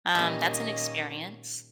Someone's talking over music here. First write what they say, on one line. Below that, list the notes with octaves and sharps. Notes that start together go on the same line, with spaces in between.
Um, that's an experience."
A#2 D#3 G3 A#3 C#4 D#5 E5